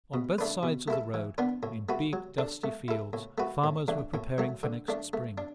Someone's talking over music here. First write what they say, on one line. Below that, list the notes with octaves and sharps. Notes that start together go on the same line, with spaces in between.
On both sides of the road, in big dusty fields, farmers were preparing for next spring.
B2
A3 D4 B4
B2
A3 E4 A4
E3
B3 D4 B4
A2
A3 F#4 B4
F#3
D4 A4
A3
E4 A4
A2
A3 F#4 B4
A2
E3 A3 D4
A2
F#3 A3
D3
A3 D4
A3
D4